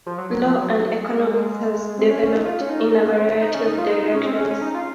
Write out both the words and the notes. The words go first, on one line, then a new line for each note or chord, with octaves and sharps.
Law and economics has developed in a variety of directions.
F3
F#3
F#3
F3
F#3
G#3
C4
C#4
C#4
D#4
F4
C#4
D#4
C#4
A#3
C4
D#4
D#4
C#4
D#4
F4
D#4
D#4
C#4
C4
C#4
C#4
D#4
F4